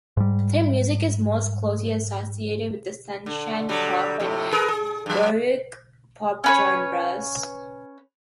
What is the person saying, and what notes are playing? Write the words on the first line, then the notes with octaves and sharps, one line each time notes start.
Their music is most closely associated with the sunshine pop and baroque pop genres.
G#2 G3
D3
D3 F#3 G3
F2 A2 C3
G#4 A#4 B4
G#4
G2 F#3
C#4 B4 C#5